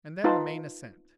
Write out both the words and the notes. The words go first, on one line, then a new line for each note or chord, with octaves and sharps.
And then the main ascent.
D#4 F4 B4 F5 A5 C6